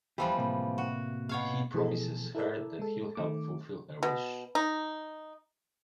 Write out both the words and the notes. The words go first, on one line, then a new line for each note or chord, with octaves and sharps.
He promises her that he’ll help fulfil her wish.
E2 E3 F3 G3 B3 G4
A2 C3 A#3
F#4
B2 C#5 F5
B2 E3 F3 A3 G#4 A4
E4 A4 A#4 D5 E5
G#3 A4
D#3 A3 D6
B2
D#4